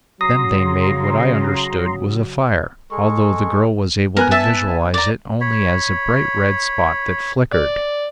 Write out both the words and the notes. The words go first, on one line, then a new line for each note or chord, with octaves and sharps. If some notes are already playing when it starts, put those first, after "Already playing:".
Then they made what I understood was a fire, although the girl was able to visualize it only as a bright red spot that flickered.
C#3 F#3 A#5 C6 D#6
G#3 G#4 A4 C#6
B3 A#4 G#5 F#6
E5 A5
D5 A#5
C#5 B5
D5